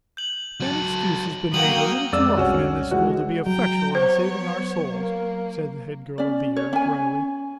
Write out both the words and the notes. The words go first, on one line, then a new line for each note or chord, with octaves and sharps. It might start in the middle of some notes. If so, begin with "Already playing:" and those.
"That excuse has been made a little too often in this school to be effectual in saving our souls," said the head girl of the year, drily.
G6 F#7
F#3 A4
F#3 A#3 F#4 G5 D#6 F#7
F2 G#3 D5 E6
C2 C#4 F#4
E3 G#3 F#4
F#3 G5 A#5
B3 C5 C#5
A#3
C#4 D5
C#5
C#4 G#5